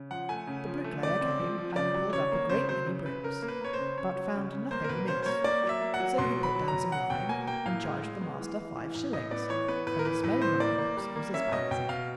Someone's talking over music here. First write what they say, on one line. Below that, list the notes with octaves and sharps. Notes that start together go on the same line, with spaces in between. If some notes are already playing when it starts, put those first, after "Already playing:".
The bricklayer came and pulled up a great many bricks, but found nothing amiss; so he put down some lime and charged the master five shillings, and the smell in my box was as bad as ever.
Already playing: C#3
F3 F#5
A3 G#5
C#3
F3
A3
C#3 D5
C4
F3
F3
C#3 D5
F#3
C#3 C#5
A#3
C#3 C5
F#3 C5
C#3
C#3 B4
C#3 A#4
A#3
B4
A#3 C#5
C5
C#3
C#3 C#5
F#3
C#3
C#3
A#3 C5
A#4
B2 B4
C#4 C5
C5
A#3 C#5
A#3 D5
F#3
E5
A#3
F#5
F#3
B2 C6
F#3
B5
F#3
A#5
B2
F#3 F#5
B2 G5
A#3 G#5
A#3 G5
A2 F5
G#3
G#3
B3
E3
E3
E3
A2
A2 D#5
B3 D5
E3 C#5
B3 B4
A2 B4
A#4
E3 B4
A2 B4
E3 C5
A#3 D5
A#3
G3
A#3
C#4 E5
B2 D#5
B2 G5
B2 F5